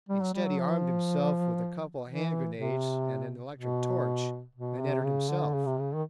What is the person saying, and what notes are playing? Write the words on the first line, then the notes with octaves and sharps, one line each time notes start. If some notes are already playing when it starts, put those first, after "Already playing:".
Instead, he armed himself with a couple of hand-grenades and an electric torch and entered himself.
G3
F#3
G3
F#3
F3
E3
C3
B2
B2
C3
C#3
D3
C#3
C3
C#3
D#3